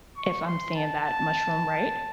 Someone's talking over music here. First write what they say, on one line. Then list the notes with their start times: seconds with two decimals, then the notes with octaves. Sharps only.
if I'm saying that mushroom right,
0.17 C#6
0.47 C6
0.76 A5
1.05 A5